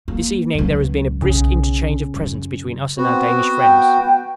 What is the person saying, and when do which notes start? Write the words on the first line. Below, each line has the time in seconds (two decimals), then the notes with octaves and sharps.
This evening there has been a brisk interchange of presents between us and our Danish friends.
0.08 A#3
0.55 C#2 F#3
1.22 B1 C#3
2.16 F#2
2.97 B3 C4 F#4
3.60 G5